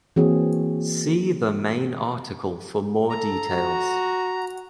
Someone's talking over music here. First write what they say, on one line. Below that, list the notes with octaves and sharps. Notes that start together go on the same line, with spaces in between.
See the main article for more details.
E3 A#3 C4 F#4 G#4 C#5
A4 A#5
F#4